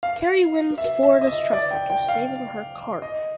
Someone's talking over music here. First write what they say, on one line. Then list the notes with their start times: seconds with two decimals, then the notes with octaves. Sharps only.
Carrie wins Flora's trust after saving her cart.
0.03 F5
0.78 E5
1.03 E5
1.21 D#5
1.27 E5
1.53 D5
1.71 G5
1.90 G5
2.08 F5
3.02 D#5